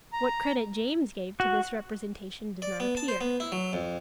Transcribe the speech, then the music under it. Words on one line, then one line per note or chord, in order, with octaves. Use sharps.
What credit James gave to this representation does not appear.
A#5
F#4
D5
B3
A5
C5
B3
E4
F#3
F2